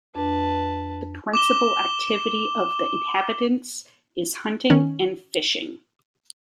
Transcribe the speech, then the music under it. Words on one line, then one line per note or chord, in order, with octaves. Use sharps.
The principal activity of the inhabitants is hunting and fishing.
F2 D4 B4 A5
D6 E7 G7
D#3 C#4